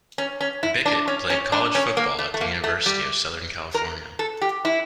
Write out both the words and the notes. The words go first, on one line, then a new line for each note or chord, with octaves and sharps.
Bickett played college football at the University of Southern California.
C#4
C#4
E4
D4
C#4
C#4
D4
C#4
A#3
A3
A3
A#3
A3
G3
A#4
A4
G4
E4